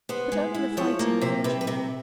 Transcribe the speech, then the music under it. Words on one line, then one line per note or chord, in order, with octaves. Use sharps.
But only the fighting ones, you know.
B3 C5
G#3
E4
F3 C#5
A#3
C3 C5
C3 B4
B4
C3 A#4